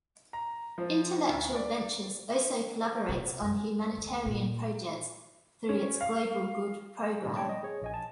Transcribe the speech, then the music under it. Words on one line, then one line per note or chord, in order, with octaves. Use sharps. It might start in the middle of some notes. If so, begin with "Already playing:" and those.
Intellectual Ventures also collaborates on humanitarian projects through its Global Good program.
A#5
F3
D2
D5
C3
F#2
D2
A#2
C#4
F5
A2 D3 G3
C#5 D5 G5 A5 B5
D#5
G#4 C#5
A#1 D#5 G#5
A5